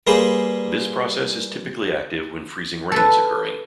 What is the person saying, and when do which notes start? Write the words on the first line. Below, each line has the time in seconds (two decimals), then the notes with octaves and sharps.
This process is typically active when freezing rain is occurring.
0.07 G3 A#3 G#4 B4 C5
2.92 A4 B4